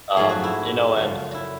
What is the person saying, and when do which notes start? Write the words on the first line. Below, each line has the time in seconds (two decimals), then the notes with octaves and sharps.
um, you know, and
0.16 G#2 F3 A3 G#4
0.29 F#4
0.44 E4
0.95 F#2 C#3 F3
1.34 E4